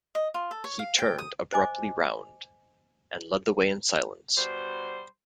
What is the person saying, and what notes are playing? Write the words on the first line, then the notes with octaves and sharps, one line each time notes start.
He turned abruptly round, and led the way in silence.
D#5
F4
A4
C#5
F5
G5
D#6
C5 D#5 G#5 D6
B2 G3 C5